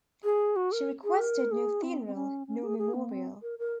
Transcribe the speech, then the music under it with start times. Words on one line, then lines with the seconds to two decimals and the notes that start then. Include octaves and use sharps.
She requested no funeral nor memorial.
0.24 G#4
0.56 F#4
0.72 A#4
1.04 G#4
1.19 A#4
1.52 G#4
1.83 C4
2.06 C4
2.15 C#4
2.47 C#4
2.63 G#4
2.78 G#4
2.94 A#3
3.10 C4
3.42 A#4
3.59 A#4